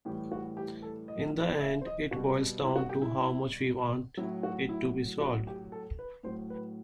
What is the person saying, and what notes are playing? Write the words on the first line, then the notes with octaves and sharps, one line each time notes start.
In the end it boils down to how much we want it to be solved.
A2 E3 G3 G4
F#4
G4
A4
D#5
E5
C5
D#5
B2 G3 F#4
E4
F#4
G4
E4
A2 F#3 E4
F#4
E4
F#4
G4
A4
B4
A2 F#3 C5
B4